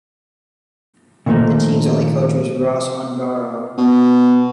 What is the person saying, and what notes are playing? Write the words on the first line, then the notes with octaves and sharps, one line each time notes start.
The team's only coach was Ross Ongaro.
A#2 D#3 F3 F#3 A3 A#3
B2